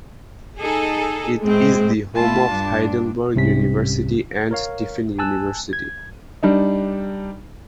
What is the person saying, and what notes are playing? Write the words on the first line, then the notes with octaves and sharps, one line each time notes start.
It is the home of Heidelberg University and Tiffin University.
D#4 G#4 A4
A2 G#3 C4
A3 E4 F4 A5
G2 D4
C2 G#2 C3 C#4 B6
A#4 C#5 F5
G#5 A5 E6 F#6
G#6
G3 D4 D#4